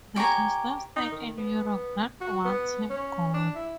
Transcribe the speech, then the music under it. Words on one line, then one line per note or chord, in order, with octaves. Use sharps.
There is no State in Europe that wants him gone.
G4 C#5 G#5 A#5
D#4
D#3
B3
F#4
B3
C#4
D4
E4